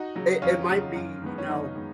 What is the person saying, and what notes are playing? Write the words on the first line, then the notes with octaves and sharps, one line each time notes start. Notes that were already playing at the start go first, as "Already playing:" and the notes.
It it might be, you know
Already playing: D#4 F#4
C#3 F#3
F2 C#4 F4
C#3 F#3
F#2
D#3 G#3 B3
C#4
F#2 D#4
D#3 G#3 B3